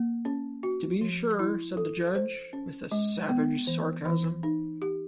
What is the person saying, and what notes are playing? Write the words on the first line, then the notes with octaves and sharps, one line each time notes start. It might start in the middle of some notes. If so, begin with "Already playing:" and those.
"To be sure," said the judge, with a savage sarcasm.
Already playing: A#3
C#4
F#4
F3
E4
A4
C5
C#4
G#3
B3
E3
E3
D#4
G4